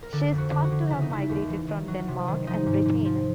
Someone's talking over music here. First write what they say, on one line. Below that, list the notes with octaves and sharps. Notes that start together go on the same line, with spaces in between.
She is thought to have migrated from Denmark and Britain.
A#4
D3 A4
F2
F#4
D3
F#4
D3
C#3 E4
D#4
C#3 E4
D#2
E3
D#3
F#3
C3
D#3
F3 D#4
G#2
G#2
F3